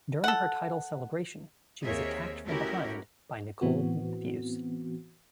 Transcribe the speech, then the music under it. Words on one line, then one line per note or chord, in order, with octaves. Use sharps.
During her title celebration, she was attacked from behind by Nicole Matthews.
A4 F#5
D#2 A#3 C4 G#4 C#5 E5
A3 C#4 E4 F#4 G4 A#4
A2 E3 B3 C4 F#4